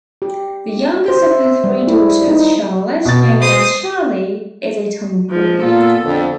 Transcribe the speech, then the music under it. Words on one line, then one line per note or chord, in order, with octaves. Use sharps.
The youngest of her three daughters, Charlotte, known as "Charlie", is a tomboy.
G4
D4
C5
E5
G3
E4
D#4
B2 A6
C5 D#6
F3 G#3
A#2 B3 F4 A4
F2 D3